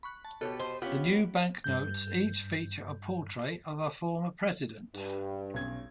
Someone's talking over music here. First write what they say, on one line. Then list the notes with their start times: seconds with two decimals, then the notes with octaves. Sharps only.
The new banknotes each feature a portrait of a former president.
0.03 B5 C#6 F#6
0.25 A5
0.41 B2 G4 A4 C#5
0.60 C5 D#5
0.82 B3 C#4 F4 G4
1.09 D7
1.64 G2 G6
4.95 G2
5.54 B1 C#4 G#6